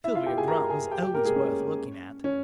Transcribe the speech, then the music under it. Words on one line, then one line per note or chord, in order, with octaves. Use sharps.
Sylvia Grant was always worth looking at.
E4 E5
F4 F5
G4 G5
G#4 G#5
A#4 A#5
G#4 G#5
G4 G5
G4 G5
A#3 A#4
G#3 G#4
C#4
C#4